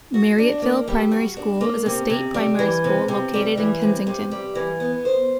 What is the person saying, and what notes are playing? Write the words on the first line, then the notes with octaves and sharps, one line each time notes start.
Marryatville Primary School is a state primary school, located in Kensington.
F#4
D4
A#3
G3
F#4
D4
A#3
C3
C3
G3
E3
C3
C3
G3
E3
C3
C3
G3
E3
B3
C5